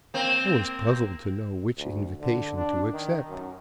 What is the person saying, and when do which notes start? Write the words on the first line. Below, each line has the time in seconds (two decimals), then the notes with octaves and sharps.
I was puzzled to know which invitation to accept.
0.14 A#3 C4
1.77 D2
2.21 D3
2.57 D4
2.93 D#3
3.29 F#2